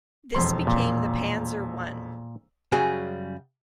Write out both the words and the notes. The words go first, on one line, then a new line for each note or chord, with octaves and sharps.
This became the Panzer One.
E1 F2 C6
A#2
F#2 C#3 G3 F#4 G#4